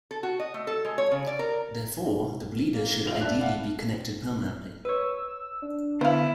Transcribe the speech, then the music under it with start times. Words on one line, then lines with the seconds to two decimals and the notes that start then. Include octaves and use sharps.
Therefore the bleeder should ideally be connected permanently.
0.11 A4
0.23 F#4
0.39 D#5
0.54 A3
0.67 A4
0.85 G#3
0.98 C#5
1.11 C#3
1.27 D5
1.39 A#4
2.72 A#3
3.06 E1 F4 F7 F#7
3.21 D4 E5 F#6
3.40 E4 F5 F#5
4.85 B4 C#5 E6
5.62 D4
6.01 D3 B3 E4 B4 C5 F5